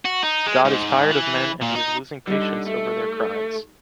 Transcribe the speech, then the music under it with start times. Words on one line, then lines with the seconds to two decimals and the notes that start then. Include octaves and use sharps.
God is tired of men and He is losing patience over their crimes.
0.05 F#4
0.23 D#4
0.47 G#3
0.65 G#2
1.11 E3
1.62 A#2
1.75 D#4
2.27 D3 G3 D#4
2.67 A3